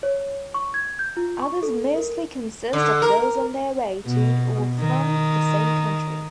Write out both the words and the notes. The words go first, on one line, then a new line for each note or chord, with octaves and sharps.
Others mostly consist of those on their way to or from the same country.
C#5
C#6
G#6
G6
F4
C#6
A4
A#4
D3
A#4
B2
D#3